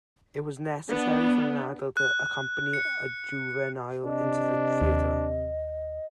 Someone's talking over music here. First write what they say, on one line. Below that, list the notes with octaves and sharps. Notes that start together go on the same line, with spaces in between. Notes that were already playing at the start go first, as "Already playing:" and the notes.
It was necessary for an adult to accompany a juvenile into the theater.
B3 D4
F#6
C#7
C3 D4 D#5
D#2